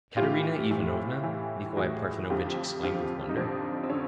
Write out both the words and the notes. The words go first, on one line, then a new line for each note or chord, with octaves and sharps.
"Katerina Ivanovna!" Nikolay Parfenovitch exclaimed with wonder.
A2 E3 F4 G4
A2 E3
A2 E3
A2 E3 F#4 G#4
F2 D3 F3 F4 G4
F2 D3 F3 F4 G4
D#4
F2 D3 F3 C4 D4
C4
D3 C#4